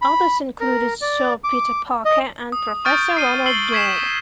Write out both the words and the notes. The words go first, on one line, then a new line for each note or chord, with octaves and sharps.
Others included Sir Peter Parker and Professor Ronald Dore.
B5
A#4
D5
D6
D#5
D#6
C#6 D#6 F6 G6 A6 D7
C7 D#7 G7
E6 C7 F#7 G7
C#6 G#6 B6 C7 E7